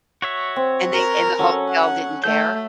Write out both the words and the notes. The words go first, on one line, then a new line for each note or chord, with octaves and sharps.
And they and the hotel didn't care?
F#4 C#5 E5
C4
A#4
F#3 C#4 A4 C#6
F#5
A3 G6